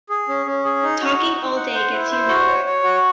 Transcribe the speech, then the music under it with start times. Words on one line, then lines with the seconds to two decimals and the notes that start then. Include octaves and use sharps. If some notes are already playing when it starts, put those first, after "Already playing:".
Talking all day gets you nowhere.
0.09 G#4
0.28 C#4
0.46 C#4
0.65 G#4
0.83 D#4
1.00 F#4
1.19 D#4
1.37 D#4
1.56 F#5
1.75 C5
1.92 E4
2.11 C5
2.28 F#4
2.48 C#5
2.65 C#5
2.83 F#4